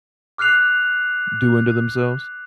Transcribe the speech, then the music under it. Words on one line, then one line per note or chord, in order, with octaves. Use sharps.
doing to themselves.
D6 F6 F#6 C7 F7